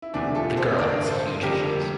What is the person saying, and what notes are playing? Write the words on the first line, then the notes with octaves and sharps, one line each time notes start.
The girl has huge issues.
E4
E1 D2 C3 E3 A3 D4
F4 A4
A4 C5
A1 G2 D3 A3 A#4 D5
A4 C5
F1 F2 D3 G3 A#3 G4 A#4